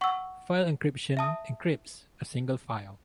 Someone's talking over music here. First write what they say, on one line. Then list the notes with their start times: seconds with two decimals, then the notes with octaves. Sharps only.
File encryption encrypts a single file.
0.01 F#5 C#6 E6
1.17 E5 A5 D#6